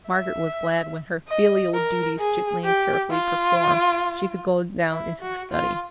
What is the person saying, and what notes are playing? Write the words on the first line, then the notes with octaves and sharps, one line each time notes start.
Margaret was glad when, her filial duties gently and carefully performed, she could go down into the study.
E5
D#5
A#4
G#4
G4
F4
E4
F#4
F4